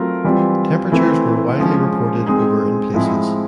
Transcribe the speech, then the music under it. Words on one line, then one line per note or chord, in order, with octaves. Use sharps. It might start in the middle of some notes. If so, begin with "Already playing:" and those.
Temperatures were widely reported over in places.
Already playing: F#3 A3 C4 F4 A#4
E3 G3 C4 F4
E3 A3 C4 E4
F3 G#3 C#4
G#3 C4 D#4 G#4
A2 F3 G#3 C4 E4